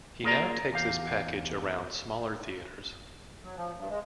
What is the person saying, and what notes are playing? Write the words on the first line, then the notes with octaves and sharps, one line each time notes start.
He now takes this package around smaller theatres.
A#3 F4 G#4 A#4 D5 A#5
E2 G4 F5
F#3
F3
G2
G#3